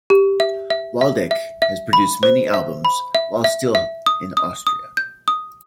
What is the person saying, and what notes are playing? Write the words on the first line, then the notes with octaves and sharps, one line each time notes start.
Waldeck has produced many albums while still in Austria.
G4
E5
E5
E5
E5
E5
B5
C5
E5
B5
E5
E5
E5
D#6
D#6
D#6
G6
D#6